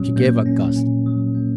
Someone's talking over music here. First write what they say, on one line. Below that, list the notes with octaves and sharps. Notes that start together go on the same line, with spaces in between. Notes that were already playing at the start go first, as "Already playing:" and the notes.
She gave a gasp.
Already playing: A#2 F#3 C#4
A#3
C#4
A#2
F#3
A#3